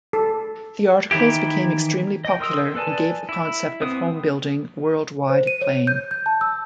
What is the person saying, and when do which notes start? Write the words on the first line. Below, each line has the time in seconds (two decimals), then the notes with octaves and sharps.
The articles became extremely popular and gave the concept of homebuilding worldwide acclaim.
0.13 A4
1.11 D#3 E3 E4 G4
2.25 D#5 G5
2.40 A#4 C6 D#6 E6
2.75 A4 B4 D5 G#5 A5
3.29 E4
3.82 B3 C4 D#6
5.30 C5
5.47 D#7
5.62 C#5
5.87 G6
6.11 G6
6.26 A5
6.41 E6